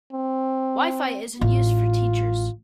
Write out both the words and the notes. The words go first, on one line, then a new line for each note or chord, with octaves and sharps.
WiFi is in use for teachers.
C4
A1 F4